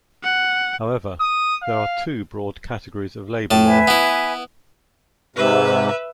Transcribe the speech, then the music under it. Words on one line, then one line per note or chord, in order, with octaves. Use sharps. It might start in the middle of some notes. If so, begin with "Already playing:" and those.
However, there are two broad categories of labour law.
F#5
D#6
F5
A2 A5
B4 E5 G#5
B3 E4
G#2 C3 B4 E5